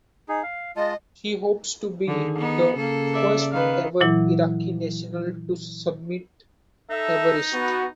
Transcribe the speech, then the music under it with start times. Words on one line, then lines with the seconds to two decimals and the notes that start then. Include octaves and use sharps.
She hopes to be the first ever Iraqi national to summit Everest.
0.29 D#4 G#4
0.43 F5
0.76 G#3 F4 D#5 A5
2.07 D3 D#3 G#4
2.38 B3 D#4
2.76 C#3 A#3 A4
3.13 D5 E5
3.53 D#3 B4 F5
4.00 A#2 E3 F#3 E4
6.90 D#4 A4 E5
7.53 B3 F#4